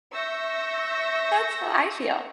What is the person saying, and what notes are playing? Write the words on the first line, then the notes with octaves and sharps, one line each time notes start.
That's how I feel.
E5 C#6 E6 G6 A#6